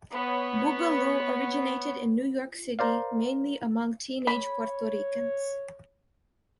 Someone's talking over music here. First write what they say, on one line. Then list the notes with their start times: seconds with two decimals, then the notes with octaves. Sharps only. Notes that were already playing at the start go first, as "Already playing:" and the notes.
Boogaloo originated in New York City mainly among teenage Puerto Ricans.
0.12 B3 C#5
2.79 A#4 C5 D5 F5
4.27 C#5 B5